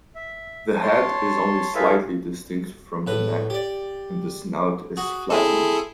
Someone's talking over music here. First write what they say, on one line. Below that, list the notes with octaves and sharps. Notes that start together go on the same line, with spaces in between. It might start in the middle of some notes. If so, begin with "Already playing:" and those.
The head is only slightly distinct from the neck, and the snout is flattened.
E5
C#5 A5 C6
E4 G#4 A4 B4 E5 F5
A2 B4
G4 D5
F#4 G#4
C4 E4 G#4 A4